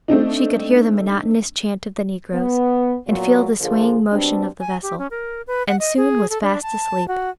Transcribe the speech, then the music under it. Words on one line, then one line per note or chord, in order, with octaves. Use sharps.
She could hear the monotonous chant of the negroes, and feel the swaying motion of the vessel, and soon was fast asleep.
A3 C4 D4 D#4
B3
A#2 F#3 B3
A#2 D3 F3 F4 G#4 A#4
B2 G3 C4 D4
G#5
G4
C#4
A#4
B4
F#5
D#5
G#4
A4
D4
A5
F#4